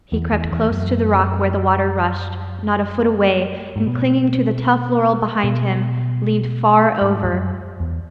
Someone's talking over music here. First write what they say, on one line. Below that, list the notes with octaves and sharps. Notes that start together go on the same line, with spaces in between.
He crept close to the rock where the water rushed, not a foot away, and clinging to the tough laurel behind him, leaned far over.
E2
E2
E2
F#2
G#2
B2
B2
G#2
E2
F#2
E2